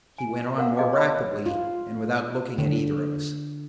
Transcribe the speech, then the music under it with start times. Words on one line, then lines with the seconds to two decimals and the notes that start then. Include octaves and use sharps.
He went on more rapidly, and without looking at either of us.
0.18 G#5
0.58 A#4 F5 F#5
0.77 G#4 D5 D#5 F5 G5 D6
0.93 C#5 D#5 B5
1.46 F4
2.58 D3